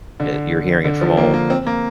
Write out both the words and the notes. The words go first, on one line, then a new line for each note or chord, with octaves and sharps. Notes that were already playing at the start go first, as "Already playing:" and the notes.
Eh, you're hearing it from all
D3
D3
F3
A#3
A#3
C4
A#3